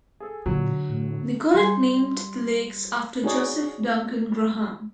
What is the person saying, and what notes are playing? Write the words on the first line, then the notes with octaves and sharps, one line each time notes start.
Nicollet named the lakes after Joseph Duncan Graham.
G#4 A4
A#2 D3 F#3
A2
G3 C6
C#4 D#4 F#4 G#4 C#5 D5